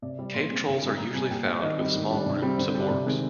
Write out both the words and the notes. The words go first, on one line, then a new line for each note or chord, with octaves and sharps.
Cave-trolls are usually found with small groups of Orcs.
C3 D5
G3 C4 D5
A#2 C6
G#3 C4
D3
G3 C4
A#2 A#5
G3 C4 G#5
A#2 G5
G3 C4 F5
D#3 D#5
G3 C4
D#3
G3 D4
C3
G3 C4
D3 C5
G3 D4
C3
D#3 G#3 C4